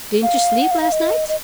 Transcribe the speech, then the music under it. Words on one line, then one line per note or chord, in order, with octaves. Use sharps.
"Didn't you sleep last night?"
F5
F#5
F5
F5
D#5
D#5